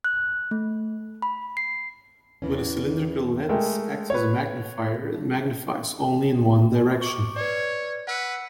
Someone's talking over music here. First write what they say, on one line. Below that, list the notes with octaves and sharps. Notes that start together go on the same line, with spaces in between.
When a cylindrical lens acts as a magnifier, it magnifies only in one direction.
F#6
A3
B5
C7
E2 G2 E3 C#4
G#3 A3 A#4 G5
B4 C#5
C#6 D6
B4 C#5 D5
B4 F#5 E6 C#7